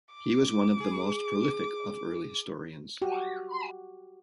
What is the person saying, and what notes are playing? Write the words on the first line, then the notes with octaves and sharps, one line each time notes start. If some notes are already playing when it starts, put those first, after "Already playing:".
He was one of the most prolific of early historians.
D6
G#4
F#4 G4